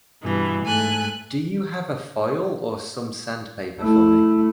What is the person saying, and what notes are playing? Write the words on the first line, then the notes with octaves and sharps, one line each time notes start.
Do you have a file or some sandpaper for me?
G2 B2 E3
G#2 A3 G#5 F#6
A3 E4